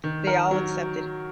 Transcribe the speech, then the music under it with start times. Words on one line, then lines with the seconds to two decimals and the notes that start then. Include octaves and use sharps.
They all accepted.
0.04 D#3
0.27 A#4
0.51 F#3